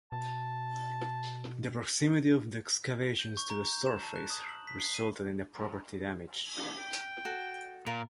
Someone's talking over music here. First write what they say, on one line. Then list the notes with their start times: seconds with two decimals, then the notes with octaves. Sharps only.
The proximity of the excavations to the surface resulted in the property damage.
0.12 B2 A5
3.19 G6
3.37 C#6
3.50 A#5
3.73 G6
3.86 E7
4.03 A5
4.16 F#6
4.30 D#6
4.49 F#7
4.67 B6
4.80 C7
4.94 D#7
6.78 G5
7.25 F#4 A4
7.86 A#2 F4 A#4